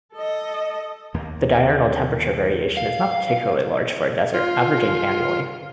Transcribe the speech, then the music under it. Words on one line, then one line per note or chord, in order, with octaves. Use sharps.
The diurnal temperature variation is not particularly large for a desert, averaging annually.
A4 D#5
D#2 A#3
F5
F4